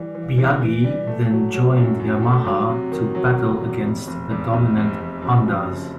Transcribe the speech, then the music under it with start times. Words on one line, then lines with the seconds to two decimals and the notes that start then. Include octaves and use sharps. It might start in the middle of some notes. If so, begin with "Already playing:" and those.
Biaggi then joined Yamaha to battle against the dominant Hondas.
Already playing: E3 G3
0.15 E3
0.38 E3
0.61 E3
0.84 G3
1.07 A3
1.30 F#3
1.54 F#3
1.77 F#2
2.00 F#2
2.23 A3
2.45 F#3
2.69 C3
2.92 D#3
3.15 F#3
3.38 C3
3.61 E2
3.84 F1
4.08 F1
4.30 E2
4.54 F1
4.77 F1
5.00 F1
5.22 F#2
5.46 F3
5.69 C#3